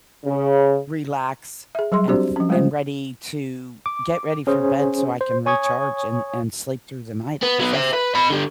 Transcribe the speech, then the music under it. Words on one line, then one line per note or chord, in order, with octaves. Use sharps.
relax and f and ready to get ready for bed so I can recharge and and sleep through the night. I just
C#3
G#4 E5
F#3 G3 G#4 C6
C4 D4 F#4 G4 C5 D5
F3 C#4
G3 G#3 A#3 F4 C5
D6
C#4 G#4 C5
C5
C#5 G#5 C#6 D#6 G#6
B3
F#3 B3
C5 E5
B4
D#5 B5
D3 G4